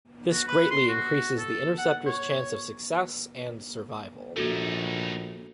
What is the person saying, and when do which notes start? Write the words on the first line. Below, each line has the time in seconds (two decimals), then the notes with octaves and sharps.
This greatly increases the interceptor's chance of success and survival.
0.32 F#4
0.47 B4
0.71 C6
0.88 F#4
1.38 A4
1.78 F#5
2.06 C#5
4.37 A#1 A3 A#3 D#4 F#4 A4